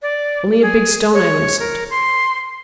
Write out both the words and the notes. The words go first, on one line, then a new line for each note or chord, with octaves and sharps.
Only a big stone I loosened.
D5
G#4
C#5
A#4
C6